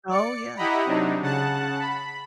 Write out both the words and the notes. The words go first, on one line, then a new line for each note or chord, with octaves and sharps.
Oh yeah, true.
D5 C#7
E4 G4 D#5 F#5 A#5 B5
C3 F#3 D4 D#4
C#3 F#5 A5 F#6
B5